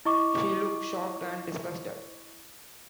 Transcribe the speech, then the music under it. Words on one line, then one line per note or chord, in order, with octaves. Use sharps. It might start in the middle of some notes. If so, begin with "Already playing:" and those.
She looks shocked and disgusted.
E4 D#5 C#6 D6